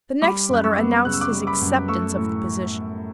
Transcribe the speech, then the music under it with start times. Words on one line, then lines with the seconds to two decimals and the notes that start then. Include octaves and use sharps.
The next letter announced his acceptance of the position.
0.22 G3 B5 D6
0.50 F#2 F#6
0.64 C#6 E6
0.78 B3
1.05 C#3 F#6
1.13 E6
1.21 D6 F#6
1.32 G3
1.47 B5 D6
1.61 F#2
1.88 A3 C#6 E6
2.17 A2